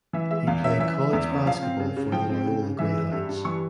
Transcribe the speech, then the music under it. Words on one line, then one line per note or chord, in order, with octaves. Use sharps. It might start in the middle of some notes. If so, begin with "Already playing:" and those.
He played college basketball for the Loyola Greyhounds.
E3 E5
G#3 E5
E2 F5
C#4 E5
E3 E5
G#3
E2
C#4
F3 F5
C4
C#3
C#3
F3 G5
C4
C#3
C#3
E3 E5
G#3
G2
G2
E3 C#6